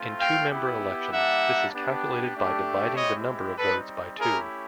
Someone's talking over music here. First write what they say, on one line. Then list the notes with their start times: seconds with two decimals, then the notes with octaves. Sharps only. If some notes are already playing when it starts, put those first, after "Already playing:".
In two-member elections this is calculated by dividing the number of votes by two.
Already playing: A3 C4 F4
0.19 F5 G5
0.49 B3 E4 G4
1.11 G3 A#3 D4 G4 E5 F#5
1.73 B3 D4 G4
2.34 A3 D4 G4
2.95 G#3 C4 E4 G4 C#5 D#5
3.57 G3 C4 D#4 A4 B4
4.18 A3 C#4 E4 G4 G#4 A#4